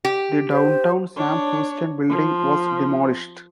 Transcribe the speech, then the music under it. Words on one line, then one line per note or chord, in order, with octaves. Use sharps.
The Downtown Sam Houston building was demolished.
G4
C5
D4 C#5
F3